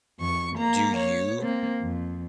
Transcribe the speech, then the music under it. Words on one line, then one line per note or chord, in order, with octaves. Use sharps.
do you
F2 C#6
A#3 A#5
C#5
A#3 C4
F2